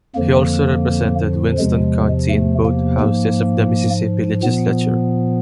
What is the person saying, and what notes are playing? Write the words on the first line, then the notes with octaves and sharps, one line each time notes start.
He also represented Winston County in both houses of the Mississippi Legislature.
F2 D3 F3 A#3
E2 C3 F3 G#3
A3
A#3
G#2 F3
A#2 F3 B3